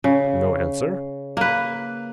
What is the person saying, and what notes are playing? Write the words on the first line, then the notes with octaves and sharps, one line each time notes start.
No answer.
C#3
A#3 B4